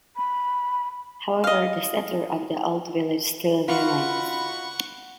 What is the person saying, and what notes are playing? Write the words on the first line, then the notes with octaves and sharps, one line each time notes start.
However the centre of the old village still remains.
B5
D#5 F5
D#4 F4 F#4 F#5 B5 C#6